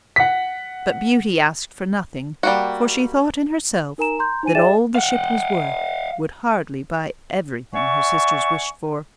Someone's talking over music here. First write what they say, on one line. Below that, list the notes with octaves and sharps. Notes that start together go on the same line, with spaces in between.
But Beauty asked for nothing; for she thought in herself that all the ship was worth would hardly buy everything her sisters wished for.
F#5 B6
G3 A#3 F#4
D#4 A#4 G#5 A#5 E7
A#5 C6 G6
D#4 C5 G#5 D#7
G#4 D5 E5 G5 A6 E7
F5 F#5
D5 E5 F#5 G#5 C#6